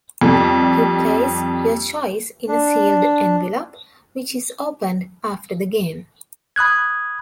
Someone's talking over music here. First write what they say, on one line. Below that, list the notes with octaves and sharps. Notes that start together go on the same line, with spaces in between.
You place your choice in a sealed envelope, which is opened after the game.
F2 G3
D4
B5 D#6 F#6 G#6